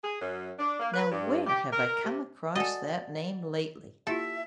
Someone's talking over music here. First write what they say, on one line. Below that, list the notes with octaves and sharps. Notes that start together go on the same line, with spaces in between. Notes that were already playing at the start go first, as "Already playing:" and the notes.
Now where have I come across that name lately?
G#4
F#2
D4
A#3
B4
G2
G4
A#4
C3
F#4 A4 D5 D#5 F#5 G#5 A6
A#3 E4 F4 G4 A4 E5